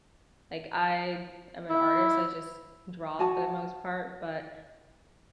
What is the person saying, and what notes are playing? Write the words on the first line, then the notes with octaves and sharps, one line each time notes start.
Like, I am an artist. I just draw for the most part, but
E4
F#4 G#5 A5